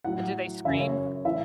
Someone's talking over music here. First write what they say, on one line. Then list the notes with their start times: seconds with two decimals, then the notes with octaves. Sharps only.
Uh, do they scream?
0.04 A2 F#3 F#5
0.64 F#2 C#3 E3 E5
0.79 C#5
1.25 A2 E3 E5